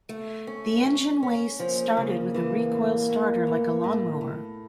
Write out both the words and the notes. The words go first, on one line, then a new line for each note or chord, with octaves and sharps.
The engine wase started with a recoil starter like a lawn mower.
A3
C#4
C#4
C#4
F3 A#3
C#3
E3
A2
A2
A2
A2
A2